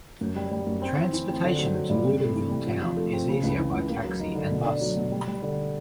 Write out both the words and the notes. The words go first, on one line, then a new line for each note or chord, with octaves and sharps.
Transportation to Luganville town is easier by taxi and bus.
F#2
G3
G3
F#2
C4
E3
E3
C4
D3
F#3
F#3
G2
C3
A3
E3
C3
F3
F3
A3
C4
C#3
C#2
E3
C#2
A#3
F#3
D#4
D3
B2
D4
F#3
B2
G3
G3
D3